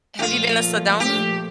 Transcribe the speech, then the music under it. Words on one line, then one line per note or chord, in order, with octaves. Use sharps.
Have you been to Sedona?
G4
A#2 F3 A3 F4
G4